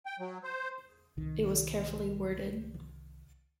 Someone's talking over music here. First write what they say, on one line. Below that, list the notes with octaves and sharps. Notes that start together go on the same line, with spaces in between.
It was carefully worded.
G5
F#3
C5
C2 D#3